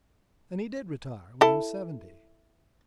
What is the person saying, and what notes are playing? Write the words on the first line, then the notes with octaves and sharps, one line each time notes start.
And he did retire when he was seventy.
E4 A4